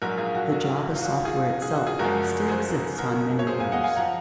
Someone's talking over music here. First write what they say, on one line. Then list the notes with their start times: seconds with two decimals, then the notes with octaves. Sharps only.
The Java software itself still exists on many mirrors.
0.02 A#1 G#2 F#3 F#4 A#4
0.18 F4 G#4
0.35 F#4
0.52 F#4
0.95 F4
1.01 F#4
1.25 F4 G#4
1.62 F4 G#4
1.75 F#4
1.87 F4 G#4
1.99 F#1 F#2 F3 G#3 F#4 A#4
2.48 G#4 C5
2.97 F#4 A#4
3.39 C#5
3.47 G#4 C5
3.60 F5 G#5
3.72 D#5 F#5
3.84 F5 G#5
3.96 F3 F#5 A#5